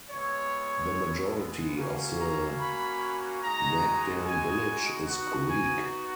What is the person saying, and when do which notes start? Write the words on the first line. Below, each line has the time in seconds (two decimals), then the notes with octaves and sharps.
The majority of the Yaghdan village is Greek.
0.10 G#3 B3 E4 C#5
1.77 A#3 C#4 F#4
2.18 A#5
2.59 B5
3.42 G#3 D#4 F#4 A#5
4.26 G#5
5.08 B3 D#4 F#4 F#5
5.50 G#5